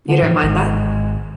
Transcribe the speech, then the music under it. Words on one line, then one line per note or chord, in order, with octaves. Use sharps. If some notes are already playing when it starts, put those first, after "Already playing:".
You don't mind that?
D3
A2 E3 F3
G#1 G#3